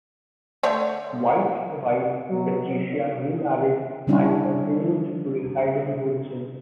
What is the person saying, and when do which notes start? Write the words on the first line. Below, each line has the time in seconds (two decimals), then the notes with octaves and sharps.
White's wife Patricia remarried and continued to reside in Houston.
0.63 D3 A3 C#5
2.30 B2 F#3
4.07 D3 G3 C#4 D4 E4